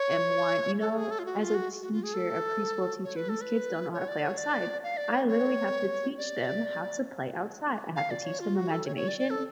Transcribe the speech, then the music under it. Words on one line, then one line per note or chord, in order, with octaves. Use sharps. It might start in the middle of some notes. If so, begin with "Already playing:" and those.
am one you know, as a teacher, a preschool teacher, these kids don't know how to play outside. I literally have to teach them how to play outside. I have to teach them imagination.
Already playing: C#5
A4
G#4
A4
F4
F#4
F4
F#4
F#4
F4
G#4
A4
C#5
B4
A4
B4
C#5
D5
C#5
D5
F5
D5
C#5
C#5
D5
F5
D5
C#5
F4
F#4
A4
C#5
C#5
D5
D5
A4